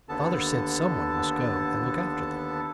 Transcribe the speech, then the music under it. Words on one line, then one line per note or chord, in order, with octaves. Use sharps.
Father said some one must go and look after them.
D#2 D3 B3 A4 A5